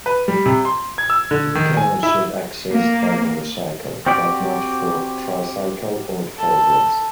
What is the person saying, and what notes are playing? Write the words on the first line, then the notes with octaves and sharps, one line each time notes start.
It can also access by motorcycle, but not for Tricycle or Four Wheels.
B4
G3
C3
C6
G#6
E6
D3
D#3
G#5
E4
A#3
C4 F#4 G4 D5
A4